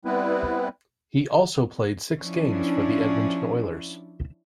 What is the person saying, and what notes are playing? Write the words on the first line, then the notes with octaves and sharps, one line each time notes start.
He also played six games for the Edmonton Oilers.
G3 B3 C4 E4 B4
F3 C#4 D4 E4